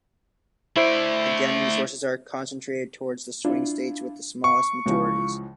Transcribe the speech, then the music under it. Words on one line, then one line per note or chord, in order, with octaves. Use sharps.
Again, resources are concentrated towards the swing states with the smallest majorities.
A3 E4 C5 D5 E5
D4 E4 F4
F5 C#6
C#2 E3 F3